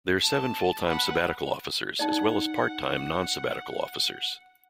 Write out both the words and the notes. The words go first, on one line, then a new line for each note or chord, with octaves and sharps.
There are seven full-time sabbatical officers, as well as part-time non sabbatical officers.
A5
B4 F#5
D#4 E4 D5 F#5